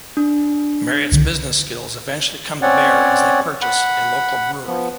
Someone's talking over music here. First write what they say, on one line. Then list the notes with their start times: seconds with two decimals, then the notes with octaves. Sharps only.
Mariette's business skills eventual come to bear as they purchase a local brewery.
0.17 D4
1.12 C2 D3 D#3
2.62 C4 C#4 C#5 D5 F#5
3.62 F#5 B5
4.67 F3 B3